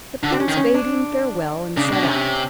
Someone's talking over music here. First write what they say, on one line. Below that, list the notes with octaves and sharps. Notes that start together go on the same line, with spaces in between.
The prince bade him farewell and set out.
D3 D4
C4
C#4
D#3
C#4
D4
C#3 D4
B2
C3 C#4